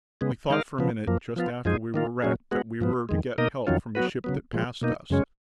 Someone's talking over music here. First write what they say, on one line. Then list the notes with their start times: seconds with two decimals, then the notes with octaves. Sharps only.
We thought for a minute just after we were wrecked that we were to get help from a ship that passed us.
0.21 C#3 G#3 B3
0.50 D#3 G#3 D#4 A#4 F5
0.79 C#3 F3 B3
1.07 F#2 F3 A#3
1.36 F3 B3 F4
1.65 F#2 F3 G#3 D#4 G#4
1.94 D#3 A#3 F4
2.22 A#2 F#3 C#4 G#4
2.51 G#3 B3 F#4
2.81 G#2 F3 B3
3.09 F2 D#3 G#3
3.38 B2 A#3 D#4 A#4 D#5
3.67 F2 D#3 F#3 C#4 F4
3.95 F#3 B3 F#4 B4
4.24 C#3 F#3 B3
4.53 A#2 F3 G#3
4.81 B2 A#3 D#4
5.10 F#2 C#3 G#3 C#4